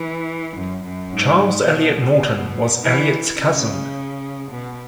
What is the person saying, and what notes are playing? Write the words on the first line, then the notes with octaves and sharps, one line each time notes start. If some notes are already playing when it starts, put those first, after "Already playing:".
Charles Eliot Norton was Eliot's cousin.
Already playing: E3
F#2
F#2
G#2
B2
E3
C#3
B2